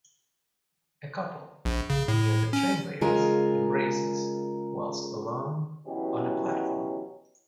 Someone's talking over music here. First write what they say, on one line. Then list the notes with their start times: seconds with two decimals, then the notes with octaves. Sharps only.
A couple, near the train rails, embraces whilst alone on a platform.
1.65 A#1
1.90 C#3
2.08 A2
2.53 C#4
3.01 C#3 G#3 F4 A#4
5.87 B2 E3 F#3 C#4 G4